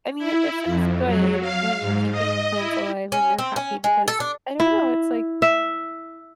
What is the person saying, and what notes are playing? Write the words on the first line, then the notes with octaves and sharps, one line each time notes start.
I mean, it it feels good when you're keeping your plants alive and they're happy because I don't know, it's, like,
E4
F2
F#3
F5
G#2
D#5
E4
C#4
C4
C#4
G#3
A4
D4
E4
E5